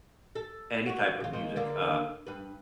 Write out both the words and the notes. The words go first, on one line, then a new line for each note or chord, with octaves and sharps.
any type of music. Uh,
A4
F#4 C#5
C#3 F4
G#3 A#3 C5
D3 A#3 D4
G2 B4